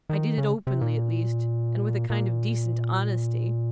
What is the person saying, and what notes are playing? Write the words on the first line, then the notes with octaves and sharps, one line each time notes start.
I did it openly, at least, and with a kind of decent honesty.
D#3
C#3
C3
A#2
A#2